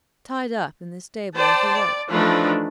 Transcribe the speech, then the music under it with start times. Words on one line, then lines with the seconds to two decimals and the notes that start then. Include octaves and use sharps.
'Tied up in the stable with a rope.'
1.36 C5 D5 G5 A5
1.74 D5
2.11 E3 F3 A3 D4 D#4 B4